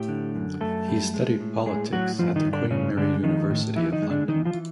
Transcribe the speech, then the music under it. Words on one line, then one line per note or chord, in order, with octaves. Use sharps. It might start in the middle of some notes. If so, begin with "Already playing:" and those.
He studied politics at the Queen Mary University of London.
Already playing: A2 G4
D3
F#2
F#2 A3 A4
G3
G#3
A2
A2 G#3 G#4
A2 F#3 F#4
G2 F3 F4
D#3 D#4
G2
D3 D4
G2 C#3 C#4
D3 G#3 D4
D#3 F3 D#4
A2
E3 F3 E4
D#3 D#4
G#3
D3 D4
D#3 E3 D#4
F3 F4
E3